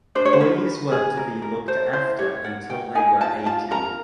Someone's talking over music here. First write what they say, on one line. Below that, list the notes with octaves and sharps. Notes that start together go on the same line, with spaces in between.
Boys were to be looked after until they were eighteen.
D4 C5
C#5
C5
A#4 B4
B4
G#4
A#4
A#4
A4 C5
E4 C5
G4 C#5
A#4 F#5
A#4 G5
D#4 G#5
F4 A5
F4 A5
A#4 A#5